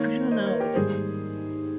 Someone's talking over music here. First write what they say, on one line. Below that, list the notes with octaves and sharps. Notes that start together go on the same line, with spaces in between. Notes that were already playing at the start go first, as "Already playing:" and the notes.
I don't know, we just
Already playing: D#3 A#3 D#4 A#4 C#5
C5 D#5
A#4 C#5
G4 A#4
G#2 D#3 G3 G#4 C5